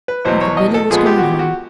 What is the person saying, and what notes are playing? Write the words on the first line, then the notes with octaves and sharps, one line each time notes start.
Uncle Billy was going home.
B4
E2 B2 F#3 C5
C#5
D#5
A4
A#2 F3 G#3 B3 G#4
G4
F#4
G4
F#4